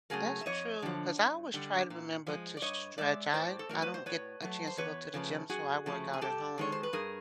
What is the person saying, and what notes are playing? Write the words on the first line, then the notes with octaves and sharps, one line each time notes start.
That's true, 'cause I always try to remember to s s stretch. I I don't get a chance to go to the gym, so I work out at home,
C#3 F#3 A3 G#4 A#4
E5
F2 C#5 D#5
D3 F3
G2
D3 G3
A#2
F3 G#3
D5
G2 C#5 D#5
E3 G#3 D5 E5
A2 C5 D5
A4
F#3 A3 A#4
B4
C5
A2 B4 C#5
F#3 A3
C5
E2 B4 C#5
C#3 F3 A3
F#2 F#4 G#4
C#3 F3 A3
G#4
G2 G4 A4
D#3 G#3 C#5
C5
B4
G2 G#4 A#4